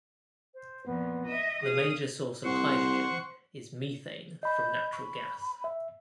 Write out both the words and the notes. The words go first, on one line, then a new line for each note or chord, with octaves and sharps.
The major source of hydrogen is methane from natural gas.
C5
F2 A#2 B3
D#5 E5
G#4 F5 D#6
C2 C5 F#5 C#6
D#5 B5 G6
B5 C#6
E5